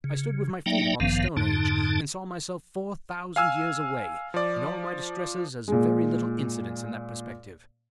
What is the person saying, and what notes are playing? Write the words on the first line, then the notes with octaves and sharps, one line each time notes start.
I stood with my feet upon the Stone Age and saw myself four thousand years away, and all my distresses as very little incidents in that perspective.
C#3
F#3 A#3 D#4 D5 E5 G5
A1 G2 D#3 F3 B3 F5
F2 G#2 D3 D#4 A5
F5 G#5 E6 F6
F3 D5
A#2 G#3